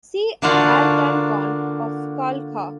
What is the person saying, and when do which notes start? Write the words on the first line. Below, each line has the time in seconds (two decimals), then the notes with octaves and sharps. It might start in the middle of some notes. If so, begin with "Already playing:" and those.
See Altan Khan of Khalkha.
0.42 D3 A#3 D4 F4 F#4